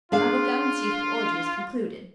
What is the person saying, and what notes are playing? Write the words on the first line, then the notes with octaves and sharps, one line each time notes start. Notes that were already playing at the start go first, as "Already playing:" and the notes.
I will go and see if the orgy is concluded.
D4 F4 G#4 F5